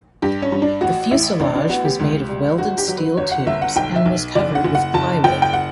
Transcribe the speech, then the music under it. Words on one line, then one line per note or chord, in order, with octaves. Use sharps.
The fuselage was made of welded steel tubes and was covered with plywood.
G2 G4
C#4
G2
D4
A1 F#4
A1 E4
A1 D4
D4
B3 F#4
G4
C#2
G3
G1 F#4
G4
F#3
B4
G1 C#5
F#5
G1 E5
F#5
B1 G5
E5
B1
F#1 D5
F#5
F#1
F#5
F#1 A5
F#1 G5
G5
F#5